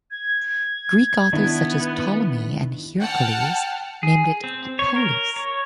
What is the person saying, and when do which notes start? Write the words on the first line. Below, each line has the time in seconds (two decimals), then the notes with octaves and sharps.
Greek authors such as Ptolemy and Hierocles name it a "polis".
0.11 G#6
1.33 D#3 B3 D4 E4
3.01 F#5 G5 A5 F6
4.03 G#4
4.44 C4
4.79 C#5
4.96 A#4
5.36 C#5